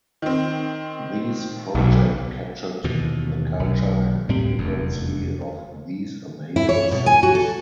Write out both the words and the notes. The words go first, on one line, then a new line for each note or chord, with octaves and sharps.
These projects captured the culture and vibrancy of these amazing cities.
D#3 C4
B1
D#2 B2 E3
B1
D2 A2 G3 C4
F1 E2
E4
C#5
B2
G#5
F#4
A4